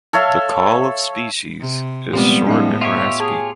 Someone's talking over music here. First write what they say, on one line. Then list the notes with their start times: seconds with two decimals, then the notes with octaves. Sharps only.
The call of species is short and raspy.
0.13 A4 C#5 E5 F5
1.60 C3
2.13 A#2 F3 G3 G#3 B3 C4 G4
2.47 A2 G#3 B3 C#4 D#4 F5
2.81 F4 G4 C#5 D#5 E5
3.20 G#4 A5